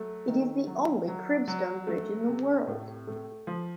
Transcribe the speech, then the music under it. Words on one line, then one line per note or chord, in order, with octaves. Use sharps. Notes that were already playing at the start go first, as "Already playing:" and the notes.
It is the only cribstone bridge in the world.
Already playing: F#3 A3
D#3
F#3
F#3
F#3
A3
C3
A2
A3
F3